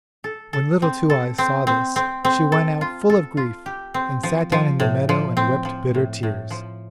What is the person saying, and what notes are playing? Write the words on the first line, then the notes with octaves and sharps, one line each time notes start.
When Little Two-eyes saw this, she went out full of grief, and sat down in the meadow and wept bitter tears.
A4
A4
C4
A4
C4
C4
C4
C4
A4
F4
A4
F4
G4
C4
F3
F3
A2
F3
C4
F3
A2
A2
F3